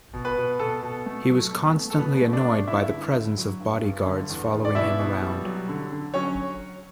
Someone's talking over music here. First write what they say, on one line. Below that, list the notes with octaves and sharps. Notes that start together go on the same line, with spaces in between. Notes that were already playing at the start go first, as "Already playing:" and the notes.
He was constantly annoyed by the presence of bodyguards following him around.
B2
B4
B2
B2 A4
B2
A3
F#3
B2
A3
A4
B2 B4
A3
D4 D5
A3
G2 E4 E5
D3
D3
F#3
G2
G2
D3
E2
E2
D5
B2 E4 E5
B2
G3
F#3
D3
D3
F#3 C#4 C#5